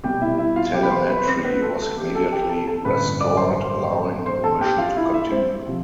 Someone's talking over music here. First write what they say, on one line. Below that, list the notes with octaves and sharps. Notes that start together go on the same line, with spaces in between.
Telemetry was immediately restored, allowing the mission to continue.
C2 B2 G3 G4 G5
E4 E5
E4 E5
F4 F5
G4 G5
B5
C5 C6
B4 B5
C4 C5
B3 B4
A4
A4
G4
A4
G4 G5
A4 A5
A4 A5
A1 G2 D3 G3 B4 B5
D5 D6
C5 C6
C5 C6
A4 A5
G4 G5
F4 F5
E4 E5
E4 E5
C4 C5
C3 F3